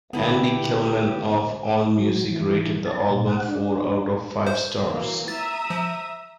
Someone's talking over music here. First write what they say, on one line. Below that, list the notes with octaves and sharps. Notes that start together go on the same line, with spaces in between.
Andy Kellman of Allmusic rated the album four out of five stars.
D3 B3 E4 G4
F#3
E3
A5
A#2
F#5
D4
C5
E3 F#3 A#3
E5 A#5 D#6 A6
F3